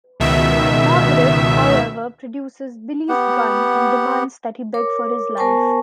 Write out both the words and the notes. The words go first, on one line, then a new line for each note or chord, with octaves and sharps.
Margaret, however, produces Billy's gun and demands that he beg for his life.
C#2 B2 D#3 E5
B3 G4 F#5
A#4 C#5 D6
B3 A#4 C5 G#5 A5 C#6